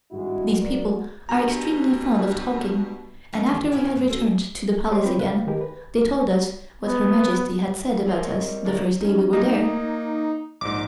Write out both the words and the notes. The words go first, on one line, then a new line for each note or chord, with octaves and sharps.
These people are extremely fond of talking and after we had returned to the Palace again, they told us what Her Majesty had said about us the first day we were there.
G#1 G2 G#3 E4 F#4
F#3 G3 B3 F#4 A#4 D5
G2 B2 A#5
A3 C#4 D#4 A#4 D#5
D#3 E3 G4 G#4
F2 A#2 C#4 E4 C#5 G5
F#2 B3 C#4
C#4 F#4 A4 C5 C#5
G4 C#5 D#5 C6 D6
C4 F4 B4 C#5 G5 B5
C#2 B4 F5
D#3 D#4 G4 G#4 A#4
B4
B3
E4 G#4 A#4 C5 D#5
C4 C#5
G3
A2 D3 D4 E4 A#5
C#4 D#4
A#3 D#4
A#1 G#2 D6